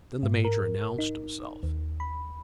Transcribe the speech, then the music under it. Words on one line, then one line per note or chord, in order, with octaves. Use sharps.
Then the major announced himself.
G#2
A#4
D#4
D#2
B5